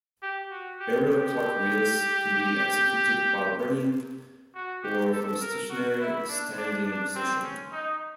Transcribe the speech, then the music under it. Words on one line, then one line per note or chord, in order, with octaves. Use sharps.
Aerial cartwheels can be executed while running or from a stationary, standing position.
G4
F#4
G4
G4
F#4
G4
A4
A#4
F#4
E4
D4
D4
D4
C4
C#4
D#4